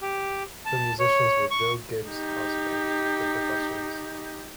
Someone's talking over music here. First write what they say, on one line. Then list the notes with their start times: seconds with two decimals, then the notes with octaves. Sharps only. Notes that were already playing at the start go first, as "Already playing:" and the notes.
The musicians were Joe Gibbs' house band, The Professionals.
0.01 G4
0.65 A5
0.99 C#5
1.51 C#6
2.08 D#4 G4